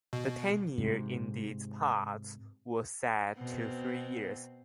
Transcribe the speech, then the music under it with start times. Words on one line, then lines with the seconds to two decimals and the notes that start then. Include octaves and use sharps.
The tenure in these parts was set to three years.
0.13 B2
0.78 G#2 C3
3.37 B2 C4